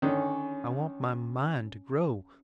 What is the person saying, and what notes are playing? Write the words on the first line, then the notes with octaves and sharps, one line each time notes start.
I want my mind to grow.
D3 D#3 C#4